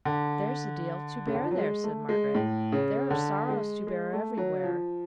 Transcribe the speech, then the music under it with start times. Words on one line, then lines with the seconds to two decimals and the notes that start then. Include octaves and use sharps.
'There's a deal to bear there,' said Margaret. 'There are sorrows to bear everywhere.
0.05 D3
1.27 C#3
1.35 D3
1.43 F3
1.51 F#3
1.58 G#3
1.84 A3
2.09 G#3
2.35 A2
2.72 C#3
3.11 D3
3.49 G#3
3.87 G#3
4.13 A3
4.37 F#3
4.63 F3